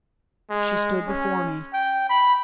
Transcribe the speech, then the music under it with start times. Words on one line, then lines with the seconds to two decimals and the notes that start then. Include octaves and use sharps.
She stood before me.
0.50 G#3
1.07 C#4
1.73 G5
2.09 B5